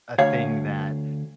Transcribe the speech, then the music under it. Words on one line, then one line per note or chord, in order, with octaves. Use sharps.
a thing that
D2 C#5 F5